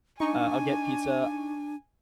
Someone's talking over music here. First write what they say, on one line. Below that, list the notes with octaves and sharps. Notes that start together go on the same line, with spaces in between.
uh, I'll get pizza,
D4 D#4 G#5 C#6